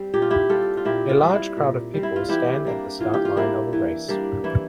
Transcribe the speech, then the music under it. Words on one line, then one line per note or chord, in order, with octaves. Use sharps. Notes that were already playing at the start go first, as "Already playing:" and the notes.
A large crowd of people stand at the start line of a race.
Already playing: G3 C4
A#2 G4
F4
E4 G4
G3 C4 F4 A4
F4
A#2 E4 G4
F4
G3 C4
E4
A#2
G3 C4
E4
F4
E3 E4 G4
G3 A#3 D4
E3 F4
G4
F4
G3 A#3 D4 E4
E3
G3 A#3 D4
E3 E4